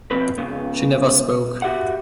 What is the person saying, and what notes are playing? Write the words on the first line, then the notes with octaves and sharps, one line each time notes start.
She never spoke.
B2 F3 C4 B4
C#2 C#3 B3
F#4 G4 E5 F#5